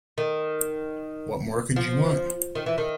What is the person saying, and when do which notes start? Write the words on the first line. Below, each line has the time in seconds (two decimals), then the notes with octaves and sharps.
What more could you want?
0.18 D#3
1.76 F3
2.55 D#3
2.66 E3
2.78 D#3